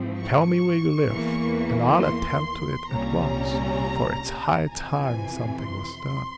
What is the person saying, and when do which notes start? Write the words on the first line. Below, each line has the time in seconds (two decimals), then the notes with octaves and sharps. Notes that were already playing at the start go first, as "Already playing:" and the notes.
Tell me where you live, and I'll attend to it at once, for it's high time something was done.'
Already playing: G#2 F3 C4
0.19 C#6
1.09 E2 E3 A#3
1.99 C6
2.89 C2 A#2 G3 C#4 A#5
4.70 F2 C3 E3 G#5
5.60 C6